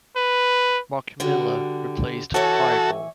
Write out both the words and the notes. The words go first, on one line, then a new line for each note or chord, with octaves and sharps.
Mark Miller replaced Firebaugh.
B4
D3 G3 F#4
E3 F#4 A4 C#5 E5